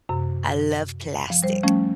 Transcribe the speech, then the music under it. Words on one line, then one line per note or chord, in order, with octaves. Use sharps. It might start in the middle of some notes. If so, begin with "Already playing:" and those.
I love plastic.
F#2 C3
F3
G3 C5
F3 G3 A3 C#4